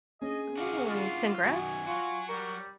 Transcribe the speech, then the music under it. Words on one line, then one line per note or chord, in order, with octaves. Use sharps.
Ooh, congrats.
C#4 G#4 D#5
D4 D#4 F#4 F5
F4
F#2 D#3 F#3 F#4 G#5
F#3 F4 F#4
G3 A#4